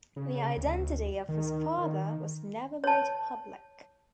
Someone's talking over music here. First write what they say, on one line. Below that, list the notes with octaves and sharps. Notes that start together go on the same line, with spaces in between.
The identity of his father was never made public.
C#3
D2
D#3
D#3
C#5 A5